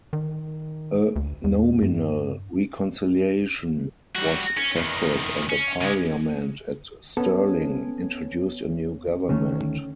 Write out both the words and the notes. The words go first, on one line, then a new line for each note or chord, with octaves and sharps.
A nominal reconciliation was effected, and a parliament at Stirling introduced a new government.
D#3
D2
E2
G2
G3 F#4
C#4
E2 D#3
C#4
C#3 G#3
B3 C#4 A4
D2 D#3 A3 C#4